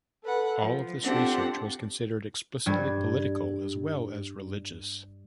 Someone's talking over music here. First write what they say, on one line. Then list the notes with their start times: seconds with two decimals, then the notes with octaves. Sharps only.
All of this research was considered explicitly political as well as religious.
0.23 A4 B4 F#5
0.60 F3
1.03 C4 D4 F4 G4 A4 F#5
2.66 G2 G3 G#6